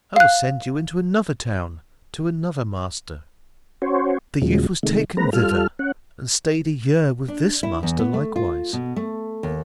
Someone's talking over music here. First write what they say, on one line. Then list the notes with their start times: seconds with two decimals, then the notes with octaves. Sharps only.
I will send you into another town, to another master.' The youth was taken thither, and stayed a year with this master likewise.
0.16 F5 F#6
3.82 C#4 F#4 C5 C#5
4.42 D#2 A#2 C#3 F3 F#3 G#3
4.83 C3 D#3 G#3 A3
5.17 G#3 A#3 C4 B4 A#5
5.33 G3 F4 A4 F6
5.79 C#4 F#5
7.28 D4
7.63 E4
7.83 E2
7.99 B3
8.14 A3
8.36 F4
8.73 B2
8.96 A3
9.43 D#2